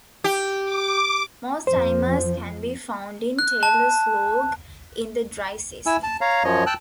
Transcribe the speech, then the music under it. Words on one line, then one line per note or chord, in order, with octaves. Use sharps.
Most animals can be found in Taylor Slough in the dry season.
G4
D6
F2 F3 C5
F#6
A5
E4 G#5 E6
A5
C#5 F5 A#5
F#2 F3 C#5 D#5
G5 A5 E6 F#6